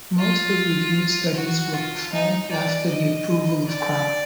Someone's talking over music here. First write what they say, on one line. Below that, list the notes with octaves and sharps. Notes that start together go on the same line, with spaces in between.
Most of reviewed studies were performed after the approval of crop.
F4
F#4
F4
D#4
D5
D#5
D5